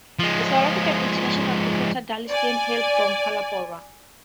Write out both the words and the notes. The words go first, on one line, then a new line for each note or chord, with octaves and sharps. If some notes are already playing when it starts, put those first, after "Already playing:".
The South African international cricketer Dale Steyn hails from Phalaborwa.
F3 G#3
D5 G#5